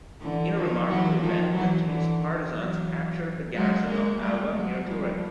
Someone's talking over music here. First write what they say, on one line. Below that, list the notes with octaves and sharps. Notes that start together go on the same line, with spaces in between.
In a remarkable event, the team's partisans captured the garrison of Alba, near Turin.
D3 E3
D#3 F3
E3 F#3
D#3 F3
E3 F#3
D3 E3
D#3
E3 F#3
F#3 G#3
G#3 A#3
G3 A3
F#3 G#3
F3 G3